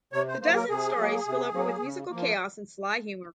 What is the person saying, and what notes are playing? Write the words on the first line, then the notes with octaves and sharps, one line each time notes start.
The dozen stories spill over with musical chaos and sly humor...
C3 C#5
C5
F#3 A#3 C5
A#4
C3 G#4
F#3 A#3
C3
F#3 A#3
C#3
F3 A#3